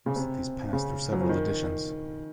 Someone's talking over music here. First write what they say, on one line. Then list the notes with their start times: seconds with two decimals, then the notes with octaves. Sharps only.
Most of these passed through several editions.
0.06 C#3
0.16 C3
0.73 C#3
1.12 F#3
1.20 F3
1.29 D#3